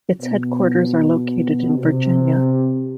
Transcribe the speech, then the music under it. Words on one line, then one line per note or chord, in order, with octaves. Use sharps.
Its headquarters are located in Virginia.
B2
C3